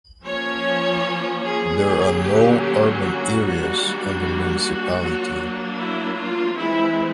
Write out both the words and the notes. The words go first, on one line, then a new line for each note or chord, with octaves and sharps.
There are no urban areas in the municipality.
F3 A#3 C#4 C#5
G#4
D3 F#3 A#3 C#4
G4
G4
F#4
D#3 G3 A#3 D4
F#4
F#3 A#3 D4
E4
F4
E3 G#3 C4 E4